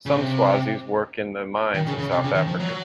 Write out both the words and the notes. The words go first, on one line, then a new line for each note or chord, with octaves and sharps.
Some Swazis work in the mines in South Africa.
C#3
C3
D#3
C#3
C#3
C3
C#3
D#3
F3
F#3